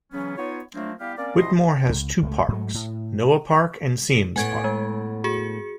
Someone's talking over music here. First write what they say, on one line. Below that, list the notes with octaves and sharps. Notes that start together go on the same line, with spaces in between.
Whittemore has two parks: Noah Park and Siems Park.
C#3 E3 F#3 B3 C#4
B3 D#4 F4 C#5
F3 F#3 A3 A#3 C4 D4
G3 B3 E4 G4 F5
A#3 C4 C#4 D5
C2 B2 E4 D#5 C6
C#2
C#2 G#3 A3
G#2 F#3 A3
A2
A2 B3 G#5 G#6 D7
G#3
F#4 G#4 C#7